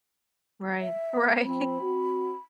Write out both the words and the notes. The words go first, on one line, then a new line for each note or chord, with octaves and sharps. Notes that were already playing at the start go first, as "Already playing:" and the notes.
Right. Right.
E5
F3 C4 B5
C4 F#4